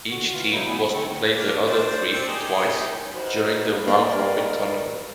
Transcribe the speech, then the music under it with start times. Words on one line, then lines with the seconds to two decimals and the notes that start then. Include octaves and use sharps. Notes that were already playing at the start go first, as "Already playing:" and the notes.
Each team was to play the other three twice during the round robin tournament.
0.11 D3 F#4
0.32 E3 F4
0.52 G2 F#3 G3 D#4 E4
0.67 D2 A#2 B3 E4 F#5 G#5
0.79 B5
0.93 D3 A3 C4 A4 C#6
1.36 A#3 D4
1.66 D4 C5
2.13 C4 D4
2.28 D#4 G4 G#4
3.14 D#4 F#4 B4 C5 F5
3.88 A#3 A#4 D5 D#5